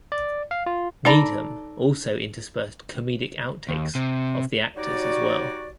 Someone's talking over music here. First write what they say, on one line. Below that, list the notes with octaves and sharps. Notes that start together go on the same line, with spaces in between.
Needham also interspersed comedic outtakes of the actors as well.
D5
F5
F4
D#4 A4 D5 A#5 B5
D#2
C3
F#3 G3 D#4 F#4 C#5 D5